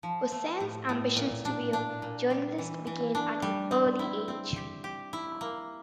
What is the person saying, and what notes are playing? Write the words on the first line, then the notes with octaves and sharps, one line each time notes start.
Hossain's ambitions to be a journalist began at an early age.
F3
A3
A2
A2
A#2
D4
D4
A#2
G3
E3
E3
D4
G3
C4
E4
C4
G4
G4
E4
A#3